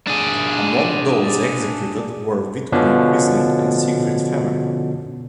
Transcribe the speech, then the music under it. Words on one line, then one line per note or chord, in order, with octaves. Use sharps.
Among those executed were Vidkun Quisling and Siegfried Fehmer.
D4 G#4
B2 D3 F3 C#4 D4